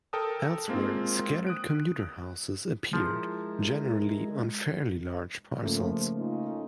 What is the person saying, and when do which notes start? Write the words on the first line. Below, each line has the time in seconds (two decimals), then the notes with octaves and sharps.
Elsewhere, scattered commuter houses appeared, generally on fairly large parcels.
0.13 A4 A#4 G5 A5 D#6
0.68 G#3 A#3 C4 F4
1.47 D#6 F#6 D7
2.93 F3 G#3 E4 G#4 A#4
5.63 C#3 F3 A3 A#3
6.17 C#4 D#4 F4